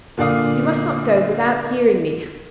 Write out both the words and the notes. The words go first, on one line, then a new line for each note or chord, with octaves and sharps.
You must not go without hearing me.
A#2 D3 D4 D5 F5 D#6